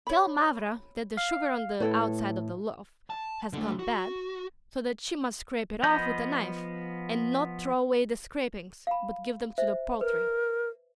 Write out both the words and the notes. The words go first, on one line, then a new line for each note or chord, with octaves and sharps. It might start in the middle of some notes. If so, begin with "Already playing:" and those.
Tell Mavra that the sugar on the outside of the loaf has gone bad, so that she must scrape it off with a knife, and NOT throw away the scrapings, but give them to the poultry.
C#5 B5
F5
A2 E4 A4 B4
A5
D3 A3
F#4
F3 B3 D#5 B5 G6
F5 B5
C5 E5
A#4 B4